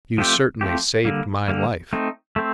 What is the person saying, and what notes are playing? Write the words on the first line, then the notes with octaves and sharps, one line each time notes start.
You certainly saved my life.
F3 A3 C4 G4
F3 A3 C4 G4
D3 G3 A#3
D3 G3 A#3
A3 C4 D#4
A3 C4